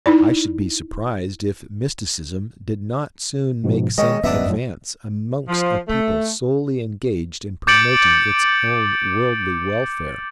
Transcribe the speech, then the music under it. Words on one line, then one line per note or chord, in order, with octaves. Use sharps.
I should be surprised if mysticism did not soon make some advance amongst a people solely engaged in promoting its own worldly welfare.
D#4 E4 D5
G#2 B2 F3
D#3 G#3 C#4 D#5
D#1 F#2 B3 D4 D#4 E5
F#2 A2 F#3
F3
A3
D6 G6 A6 C#7 D7 F#7